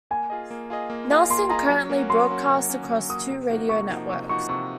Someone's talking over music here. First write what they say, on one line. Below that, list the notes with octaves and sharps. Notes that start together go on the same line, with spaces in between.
Nelson currently broadcasts across two radio networks.
A#3 G#5
F4 G#4 D#5
A#3
F4 G#4 D#5
A#3
F4 G#4 D#5
A#3 C6
F4 G#4 D#5 A#5
F#3
A#3 C#4 F#4
F#3 C6
A#3 C#4 F#4
F#3
A#3 C#4 F#4
F#3
A#3 C#4 F#4 D#6
C3
F3 A#3 D#4 F#4
C3 C#6
F3 A#3 D#4 F#4
C3 C#6
F3 A#3 D#4 F#4 C#6
C3 C#6